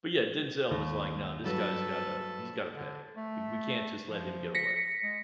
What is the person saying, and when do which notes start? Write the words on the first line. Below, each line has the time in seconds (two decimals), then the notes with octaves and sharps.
But, yeah, Denzel was like, "No, this guy's gotta he's gotta pay. We we can't just let him get away."
0.71 D#2
1.44 G2 F#3 A4 B4
2.75 D3
3.16 A3
4.07 F3
4.55 A#6 B6 C#7
5.03 G#3